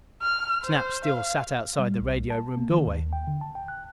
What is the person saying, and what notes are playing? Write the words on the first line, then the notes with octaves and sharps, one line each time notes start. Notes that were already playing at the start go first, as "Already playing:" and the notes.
Snap still sat outside the radio room doorway.
F6
C5
F5
G3
B1
A5
A#3
D#3
D#2
G5
D3
A5
G5
F#6